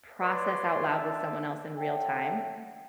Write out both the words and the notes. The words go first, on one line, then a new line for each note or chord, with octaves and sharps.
process out loud with someone else in real time.
B4 C#5 D5 C6
D4 E5 A5
A4 C#5 E5 F#5 G5